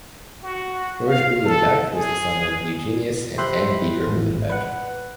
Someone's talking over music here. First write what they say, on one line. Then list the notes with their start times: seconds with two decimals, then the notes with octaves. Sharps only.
George Uhlenbeck was the son of Eugenius and Anne Beeger Uhlenbeck.
0.43 F#4
1.07 F5
1.45 A4
1.92 G#4
3.38 G4 C5 E5 B5 C6 F#6
4.06 A1 G#2
4.50 B4 F#5